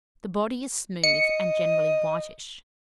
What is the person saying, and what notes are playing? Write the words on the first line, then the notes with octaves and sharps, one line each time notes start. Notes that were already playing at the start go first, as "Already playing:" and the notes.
The body is smooth, and generally whitish.
D#5 C#7